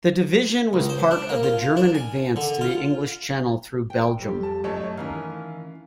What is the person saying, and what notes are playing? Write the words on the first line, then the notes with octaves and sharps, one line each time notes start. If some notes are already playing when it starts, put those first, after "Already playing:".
The division was part of the German advance to the English Channel through Belgium.
C#2
C5
D4
A#3
F4
D4
G#5
D3
F4
G5
F2 G3
A5
F#2 A3 C#5 D#5 A5
D#3 E3 C#4 F5